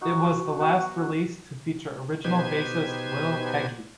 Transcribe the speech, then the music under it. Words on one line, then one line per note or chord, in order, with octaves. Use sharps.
It was the last release to feature original bassist Will Heggie.
D#4 F#4
B3 F#4 F#5
B2 D#4 G4 B4 C5 G#6